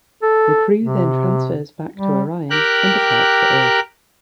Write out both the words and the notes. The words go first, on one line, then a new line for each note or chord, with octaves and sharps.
The crew then transfers back to Orion and departs for Earth.
A4
C3
G3
G4 A#4 F#6